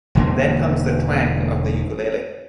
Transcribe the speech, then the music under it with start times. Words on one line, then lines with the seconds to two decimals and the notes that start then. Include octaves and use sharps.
Then comes the twang of the ukulele.
0.15 E1 D3 A#3